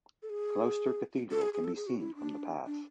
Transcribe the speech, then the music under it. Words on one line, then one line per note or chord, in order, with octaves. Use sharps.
Gloucester Cathedral can be seen from the path.
A4
G#4
A4
G#4
G#4
A4
G#4
F#4
E4
D4
D4